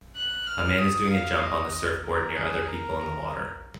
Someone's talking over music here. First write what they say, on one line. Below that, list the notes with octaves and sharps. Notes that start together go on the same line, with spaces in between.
A man is doing a jump on the surfboard near other people in the water.
F#6
F6
D#6
F5
D#5
A#4
G#4
A#4